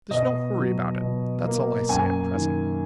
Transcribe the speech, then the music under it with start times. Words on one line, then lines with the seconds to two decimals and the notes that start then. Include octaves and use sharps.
There's no hurry about it; that's all I say at present.
0.10 B2 D#5
0.56 F#3
1.00 B2
1.45 A#3
1.89 F#2 G#5
2.34 D#3